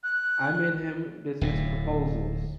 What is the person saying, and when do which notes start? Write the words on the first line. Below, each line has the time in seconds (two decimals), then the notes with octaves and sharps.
I made him business proposals.
0.04 F#6
1.41 D1 A2